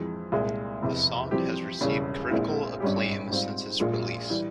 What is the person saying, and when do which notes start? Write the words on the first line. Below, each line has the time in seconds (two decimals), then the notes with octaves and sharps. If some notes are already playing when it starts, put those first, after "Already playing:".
The song has received critical acclaim since its release.
Already playing: F2 E3 G#3
0.32 C2 A#2 G#3
0.82 F1 E2 C3
1.31 F2 E3 G3 C4 G4
1.81 E1 E2 C#3 G3 C#4
2.31 A#1 A#2 G#3 C4 E4
2.80 G#1 G2 G3 C#4 G4
3.30 G#2 G3 C4 F4
3.79 A#1 A#2 F3 G#3
4.29 E3 G3